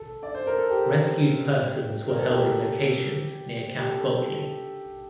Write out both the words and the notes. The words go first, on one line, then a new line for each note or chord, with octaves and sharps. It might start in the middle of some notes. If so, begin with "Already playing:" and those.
Rescued persons were held in locations near Camp Bulkeley.
Already playing: A4
D5
C5
A#4
A4
G4
A#4
A4
G4
G4
A4